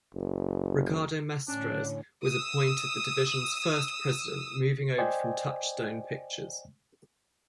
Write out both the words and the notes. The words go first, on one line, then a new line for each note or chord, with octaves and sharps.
Ricardo Mestres was appointed the division's first president moving over from Touchstone Pictures.
F#1
A2 D3 C#4 D4
D#6 E6
C5 D5 D#5 G5 G#5